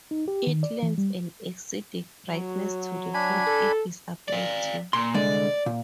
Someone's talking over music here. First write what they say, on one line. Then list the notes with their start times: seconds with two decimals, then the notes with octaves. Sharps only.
It lends an acidic brightness to the foods it is applied to.
0.11 D#4
0.28 G4
0.47 D#3
0.63 D5
0.82 E3
0.98 G3
2.29 F#3
3.14 D4 G#5 B5
3.46 A4
4.28 D5 F5
4.93 A#2 C6
5.14 C2 D3 G#3 D5
5.66 A#2